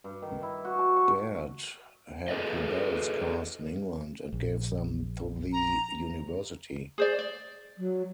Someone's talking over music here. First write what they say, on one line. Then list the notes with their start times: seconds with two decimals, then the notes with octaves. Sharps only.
Baird had the bells cast in England and gave them to the university.
0.04 G2
0.22 D#3
0.43 E4
0.65 F#4
0.79 A5
0.97 C#6
2.28 G#4 A4 B4 D5 D#5
4.33 A#1
5.53 A#5
6.98 G#4 C5 D5
7.19 D5
7.78 F#3